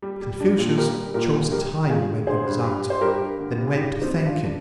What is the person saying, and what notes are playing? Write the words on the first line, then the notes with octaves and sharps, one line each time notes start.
Confucius chose a time when he was out, and went to thank him.
G3
G3
G3 D4
A#2
G3 G4 A#4
G3
A#2 G4 A#4
G3
G3 G4 A#4
G3
G3 F4 G#4
D3
D3 G#4 C5
G2
G2
G2
C5
G2 G4 A#4
G2
D3
G2
G#4
G2 D#4 G4
G2
C4 D#4
G2
D4 F4
G2
D4